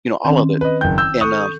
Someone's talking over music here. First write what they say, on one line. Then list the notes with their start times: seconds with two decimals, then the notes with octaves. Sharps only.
you know, all of it m and, uh,
0.25 D#3 C4 C#4
0.61 B4 D#5
0.81 F#1 G5 G6
0.98 E6 G6
1.21 A4 C#6 D#6 F#6